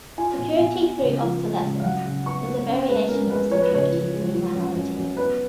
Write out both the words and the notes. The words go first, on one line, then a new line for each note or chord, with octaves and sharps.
Security through obsolescence is a variation of security through minority.
F4 G#5
B2
B2
F4
C#3
F3
G#3
C#3
F5
F#3 F#5
C#3
B3 C#6
B3
C#4
G#3 B4
C#4 A#4
G#3 B4
F3 C#5
B4
C#3 C#5
F3
G#3
F3
F#2
F#2
F#2
B3 B4